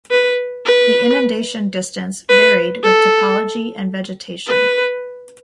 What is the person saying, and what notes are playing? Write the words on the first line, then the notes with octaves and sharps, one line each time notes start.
The inundation distance varied with topology and vegetation.
B4
B4
B4
A4
B4